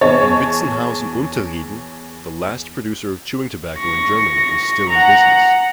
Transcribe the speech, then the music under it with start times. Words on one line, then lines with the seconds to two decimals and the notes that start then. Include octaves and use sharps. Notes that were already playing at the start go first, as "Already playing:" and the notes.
In Witzenhausen-Unterrieden, the last producer of chewing tobacco in Germany is still in business.
0.01 E2 G#4 C#5 A5 A6
3.79 C#6 A#6
4.89 F#5 A#5